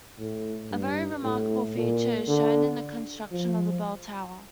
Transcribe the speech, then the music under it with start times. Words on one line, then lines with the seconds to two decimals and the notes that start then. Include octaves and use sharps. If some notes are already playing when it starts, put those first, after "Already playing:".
A very remarkable feature is shown in the construction of the bell tower.
0.19 A2
0.71 G2
1.23 A2
1.76 A#2
2.28 D3
3.32 F3